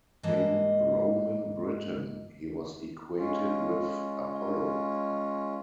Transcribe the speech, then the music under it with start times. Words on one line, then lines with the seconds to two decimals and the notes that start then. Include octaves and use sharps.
In Roman Britain, he was equated with Apollo.
0.23 G#2 E3 A#3 D#5 A5
3.17 G#3 C#4 F4